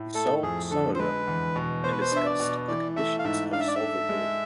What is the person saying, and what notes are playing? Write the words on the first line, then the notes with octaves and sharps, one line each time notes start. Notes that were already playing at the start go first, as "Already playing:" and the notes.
He solved some of them and discussed the conditions of solvability.
Already playing: A2
A3 A4
F2 G#4
D3 A4
C5
G#3 B4
E2
B2
B3 C5
B4
C5
D4 E5
D5
B2
E3 D5
A3 E5
F5
G#2 E5
D4 F5
E5
D5
E5
A4
G#3